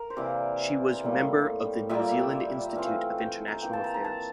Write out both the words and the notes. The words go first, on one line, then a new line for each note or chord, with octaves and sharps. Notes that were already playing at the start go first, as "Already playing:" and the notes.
She was member of the New Zealand Institute of International Affairs.
Already playing: A#4
C5
C3 E3 A#3 D5
A2 G3 A#3
A#2 G3 A#3 E5
E3 A3 C4 F5
G5
A#5
E3 A#3 G5
A5
A#5
A#5
A5